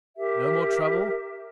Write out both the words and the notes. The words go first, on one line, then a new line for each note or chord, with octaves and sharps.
No more trouble?
G4 A#4 E5